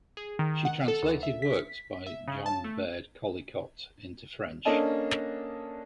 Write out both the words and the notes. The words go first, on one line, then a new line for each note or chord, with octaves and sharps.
She translated works by John Baird Callicott into French.
G#4
D#3
F#5
A4
D2
E5
B6
E5
C#3
A5
A3
A#3 C#4 D4 A4 D#5 A5